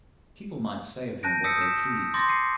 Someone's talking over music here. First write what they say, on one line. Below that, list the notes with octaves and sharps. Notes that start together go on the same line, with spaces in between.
People might say of him what they pleased.
A5 F#6 G6 A#6 D7
D#6 E6 G6 B6 C#7
E7
C6 D6 G6 A6 A#6
C7 C#7 D#7